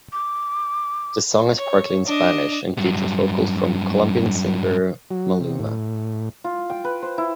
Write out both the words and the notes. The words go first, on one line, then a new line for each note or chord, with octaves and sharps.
The song is partly in Spanish and features vocals from Colombian singer Maluma.
D6
C#5
D4 D#5
G2 F#3
F#3
C3
A2
F4
G5
B4
C5
E4